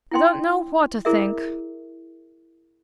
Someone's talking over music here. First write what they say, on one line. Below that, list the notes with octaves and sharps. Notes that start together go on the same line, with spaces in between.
"I don't know what to think."
E4 G5 C6
E4 G#4 A#4 D5 E5